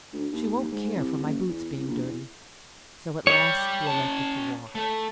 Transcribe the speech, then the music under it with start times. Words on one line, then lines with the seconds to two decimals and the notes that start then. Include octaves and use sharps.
"She won't care for my boots being dirty." So at last he elected to walk.
0.13 D2
0.32 D#2
0.72 G#2
0.96 C2
1.24 F#1
1.48 E2
1.76 C2
1.88 A#1
2.03 E2
3.27 G3 C#5
3.87 C#4 A5
4.75 A3